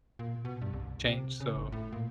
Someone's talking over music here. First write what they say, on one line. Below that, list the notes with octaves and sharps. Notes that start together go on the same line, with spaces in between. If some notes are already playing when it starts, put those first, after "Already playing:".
change, so,
A#2
B2
G2
C2
C3
C#3
G1
A2
A#2